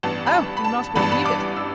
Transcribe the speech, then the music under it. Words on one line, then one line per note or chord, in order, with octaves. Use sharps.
Oh! do not believe it!
A1 G2 E3 B3 A5
B5
A5
B5
A5
A1 G2 E3 B3 B5
A5
B5
D6
E6